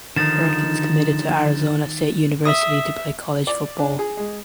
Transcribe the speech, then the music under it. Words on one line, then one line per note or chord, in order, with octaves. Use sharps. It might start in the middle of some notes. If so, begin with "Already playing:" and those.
Perkins committed to Arizona State University to play college football.
D3 D#3 F3 D#4 A6 E7
E5 D#6
D5
D4
G#4
G#3